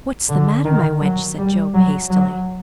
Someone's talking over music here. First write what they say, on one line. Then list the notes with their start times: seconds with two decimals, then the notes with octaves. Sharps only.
"What's the matter, my wench?" said Job, hastily.
0.29 D3
0.64 D#3
1.00 F#3
1.38 G3
1.74 F#3
2.10 F#3